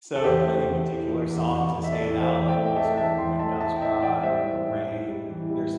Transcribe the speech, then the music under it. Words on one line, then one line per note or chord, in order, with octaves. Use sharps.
So, any particular songs that stand out, like, what was there? "When Doves Cry," "Purple Rain," nurse
A4
E2 G4 C5
A3
E2
E3
E2
E2
E2
E2
E5
E3 A4 D5
E2
C5 E5
E2
D5 G5
A3
G5
A3 E5 A5
E3 E5 A5
E2 G5 C6
A3 E5 A5
E3 E5 A5
G5
A2 E5 A5
E3 D5 G5
G3 C5 E5
E3
A2
A2
G3
E3
G3